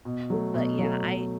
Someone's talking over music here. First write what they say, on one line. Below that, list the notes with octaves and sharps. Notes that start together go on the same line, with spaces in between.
Mm, but yeah, I
B2
F#3 A3
B2
F#3 A3
B2